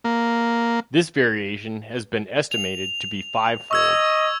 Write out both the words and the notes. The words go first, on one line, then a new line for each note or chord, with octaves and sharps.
This variation has been estimated to be fivefold.
A#3
F7
D#5 C#6 E6 G#6